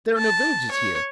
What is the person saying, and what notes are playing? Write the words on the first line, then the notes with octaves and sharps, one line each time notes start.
There are no villages here?
A5
C#5